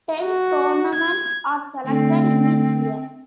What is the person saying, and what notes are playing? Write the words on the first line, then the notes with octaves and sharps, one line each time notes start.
Ten tournaments are selected each year.
F#4
G#6
D3 A3 C4